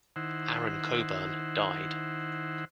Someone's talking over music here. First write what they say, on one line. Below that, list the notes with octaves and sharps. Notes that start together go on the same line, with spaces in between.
Aaron Coburn, died.
D#3 E4 C5 F#5